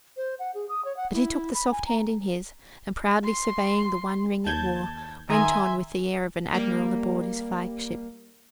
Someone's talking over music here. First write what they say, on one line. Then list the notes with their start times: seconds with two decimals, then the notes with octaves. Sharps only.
But he took the soft hand in his, and proudly surveying the one ring it wore, went on with the air of an admiral aboard his flagship.
0.17 C5
0.39 F#5
0.54 G#4
0.69 D#6
0.85 C#5
0.97 F#5
1.13 E4
1.54 B5
1.71 G#5
1.86 A#5
3.24 C6
4.46 D#2 A5 G6 G#6
5.29 D#3 E5 G#5 A#5 C6 D#6
6.54 G3 A#3